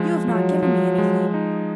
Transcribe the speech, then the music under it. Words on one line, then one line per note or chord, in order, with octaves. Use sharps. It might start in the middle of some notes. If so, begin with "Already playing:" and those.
"You have not given me anything."
Already playing: F3 G#3
F3 F#3
F3
G#3
D#4